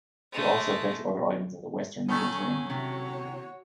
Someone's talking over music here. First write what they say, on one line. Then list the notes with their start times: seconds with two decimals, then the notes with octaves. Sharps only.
It also affects other islands of the Western Mediterranean.
0.32 G#3 A3
2.08 B2 D#3 F#3 A3 C#4 G#5
2.70 C3 F#4 C#5